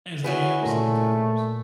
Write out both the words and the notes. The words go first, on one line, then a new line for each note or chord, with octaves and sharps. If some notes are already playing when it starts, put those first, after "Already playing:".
as I am sometimes.
C#4 E4 F#4 G#4 B4
A#2 A3 A#4